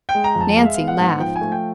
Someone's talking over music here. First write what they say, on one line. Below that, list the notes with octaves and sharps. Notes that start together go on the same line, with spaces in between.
Nancy laughed.
G5
G#3
A#5
F2
A5
G#3 F5
E5
B3 F5
F#5
G#2
F3 G5
G#5
A3
G5